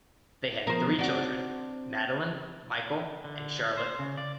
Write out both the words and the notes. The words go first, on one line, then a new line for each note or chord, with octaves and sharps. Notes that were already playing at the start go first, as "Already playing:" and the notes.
They had three children: Madelin, Michael, and Charlotte.
F3 B3 A#4 C5 D#6
C4 D4 F#4
D3
C5
C#3
D5